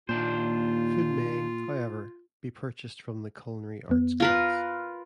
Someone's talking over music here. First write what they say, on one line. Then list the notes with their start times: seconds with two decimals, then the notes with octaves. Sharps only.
Food may, however, be purchased from the Culinary Arts class.
0.09 D#2 A#2 D4 F4 C5
3.89 F2 B3
4.20 F4 A#4 B4